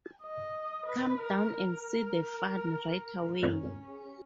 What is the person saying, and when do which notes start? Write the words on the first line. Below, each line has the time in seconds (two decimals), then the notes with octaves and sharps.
Come down and see the fun right away!
0.22 D#5
0.87 B4
1.20 A#4
1.51 A#4
3.47 C#4